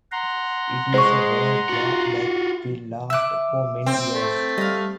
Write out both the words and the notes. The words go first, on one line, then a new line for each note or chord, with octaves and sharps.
It is a world war that will last for many years.
F#5 A#5 C6
G#3 C5 C#6
F4 F#4
E5 D6 E6 F#6
C4
A3
G3 D#5 F5